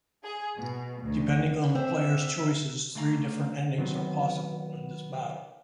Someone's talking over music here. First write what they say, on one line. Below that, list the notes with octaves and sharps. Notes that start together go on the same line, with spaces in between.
Depending on the player's choices, three different endings are possible in this battle.
G#4
B2
D2
C4 D4 E5
D3 A3 F5 G#5 A#5
D#3 F#3 B3 C4